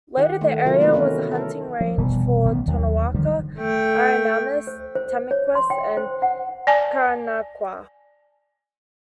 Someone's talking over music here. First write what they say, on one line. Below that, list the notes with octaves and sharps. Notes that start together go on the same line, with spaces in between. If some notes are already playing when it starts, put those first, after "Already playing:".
Later, the area was a hunting range for Tonkawa, Aranamas, Tamiques, Karankawa.
D#3 G4 F#5
D#3 A3
C3 F#3 F4 A#4
A3 A#3 D#4 F#4 B4
E3 A3 B3 C#4 A#4
A4 A#4
F3
F1 B2 E3 G3
A1 D#3 B3
D#2 D#3 F#3
D3 D#3 F3 G3
A3 G5
C5
C5
C#5
C6
G5
C5
F#5
D5 G#5 A5